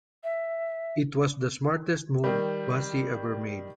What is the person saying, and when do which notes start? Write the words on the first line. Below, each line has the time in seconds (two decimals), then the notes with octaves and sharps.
It was the smartest move Basie ever made.
0.23 E5
2.24 D#3 G3